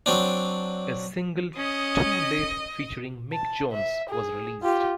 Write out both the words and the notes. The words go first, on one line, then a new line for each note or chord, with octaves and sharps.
A single "Too Late" featuring Mick Jones was released.
F#3 C4 D4
C#4 D#5 D#6
A5
E5
G#4
F4 G4